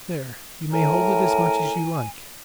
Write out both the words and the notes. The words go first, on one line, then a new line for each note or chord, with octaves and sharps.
There, you may hold it as much as you like.
A2 A#4 G#5